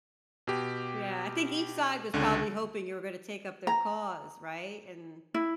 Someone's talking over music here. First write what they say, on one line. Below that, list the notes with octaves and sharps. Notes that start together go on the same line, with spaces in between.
yeah, I think each side was probably hoping you were gonna take up their cause, right? And
B2 G4
C#2 D3
A#5
E4